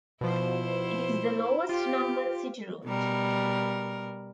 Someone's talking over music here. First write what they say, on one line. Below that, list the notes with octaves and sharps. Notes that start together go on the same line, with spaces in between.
It is the lowest numbered city route.
B2 F3 E4 C5
F4 G4
B2 G3 A#4